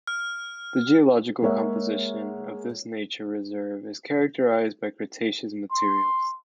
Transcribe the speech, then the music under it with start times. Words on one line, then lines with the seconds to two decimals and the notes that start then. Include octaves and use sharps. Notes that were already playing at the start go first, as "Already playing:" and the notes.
The geological composition of this Nature Reserve is characterized by Cretaceous materials.
0.07 F6
1.42 G#3 A#3 C#5 E5 F#5
5.71 C6